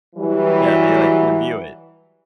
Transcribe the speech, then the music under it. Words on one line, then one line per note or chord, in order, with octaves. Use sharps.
Yeah, they, like, review it.
E3 F#3 G3